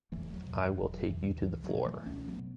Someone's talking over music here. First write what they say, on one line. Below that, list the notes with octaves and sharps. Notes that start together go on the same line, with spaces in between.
I will take you to the floor.
E1 E3 A3
F#3
E2 B2
E3
E1 F#3
E2 B2 E3
C#2 E3
F#3
B2
E3 A3
C#2 A3 C#4
F#3 B3
B2